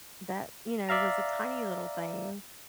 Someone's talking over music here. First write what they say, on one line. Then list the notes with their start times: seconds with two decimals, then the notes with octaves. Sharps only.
that, you know, was a tiny little thing,
0.89 D5 E5 F5 A#5